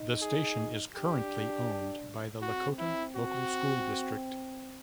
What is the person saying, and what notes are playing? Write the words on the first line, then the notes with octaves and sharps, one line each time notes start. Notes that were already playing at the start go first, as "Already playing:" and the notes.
The station is currently owned by the Lakota Local School District.
Already playing: D#4
G#4
D4 G4
C4 F#4
E4
F#4